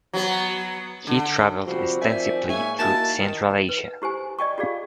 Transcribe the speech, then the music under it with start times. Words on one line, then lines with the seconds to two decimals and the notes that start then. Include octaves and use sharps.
He traveled extensively through Central Asia.
0.13 F#3 B3
1.07 D3
1.66 C3 F3 G3 C4 F#4
2.01 D#3 F3 C4 D5 E5 G#5
2.49 G#2 A#3 C#5 E5 G#5
2.79 A#3 D#4 E4 F#4 A5
3.18 D#3
3.69 B4
4.02 E4 G4 C5 G#5
4.39 D5 D#5 G5 C#6
4.58 F4 G4 G#4 D5 F5